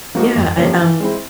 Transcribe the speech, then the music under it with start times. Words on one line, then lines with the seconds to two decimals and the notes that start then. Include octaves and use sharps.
Yeah, I, um,
0.15 F3 A#3 D#4 F#4
0.36 F2
0.57 C3 F3 A#3 C#4
0.79 E3
1.00 G#3 C4 E4